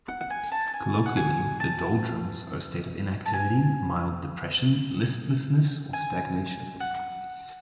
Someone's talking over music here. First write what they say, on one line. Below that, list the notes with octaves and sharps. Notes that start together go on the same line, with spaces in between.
Colloquially, the "doldrums" are a state of inactivity, mild depression, listlessness, or stagnation.
F#5
F#5
G#5
A5
G#5
F#5
G#5
A5
A5
G#5
G#5
F#5